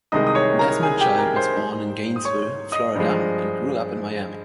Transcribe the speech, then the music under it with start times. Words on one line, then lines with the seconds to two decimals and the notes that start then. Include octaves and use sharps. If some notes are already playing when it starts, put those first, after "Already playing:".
Desmond Child was born in Gainesville, Florida and grew up in Miami.
0.12 C2 C3 D#3 G#3 D#5 D#6
0.27 D#6
0.35 C#5 C#6
0.59 A#4 A#5
0.83 G#4 G#5
1.01 G4 G5
1.18 A#4 A#5
1.36 C5 C6
1.54 G#2 G3
2.16 D#6
2.25 C#5 C#6
2.72 D#5 D#6
2.95 G2 F3 G#3